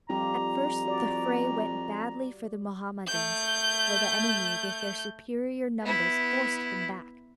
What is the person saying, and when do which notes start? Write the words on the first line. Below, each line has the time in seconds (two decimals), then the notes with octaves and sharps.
At first the fray went badly for the Mohammedans, for the enemy with their superior numbers forced them back.
0.10 F2 G3 F4 G4 A#5
0.85 F#4 D5
3.07 A3 G6
5.82 B3 E4